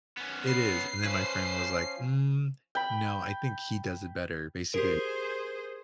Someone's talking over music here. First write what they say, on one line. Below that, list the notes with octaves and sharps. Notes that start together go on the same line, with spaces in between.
It is, and then my friend was, like, "Mm, no, I think he does it better basically,
B3 C#4
B4 C7
F3 C#4 B4 C5
G5 B5
G4 G#4 A#4 C5